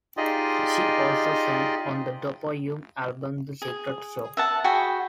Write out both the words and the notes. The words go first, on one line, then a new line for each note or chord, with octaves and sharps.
She also sang on the Dopo Yume album "The Secret Show".
D#4 F4 G4 G#4 D5 D#5
G#4
E5 F#5 A5
F#4 G#4 G5 B5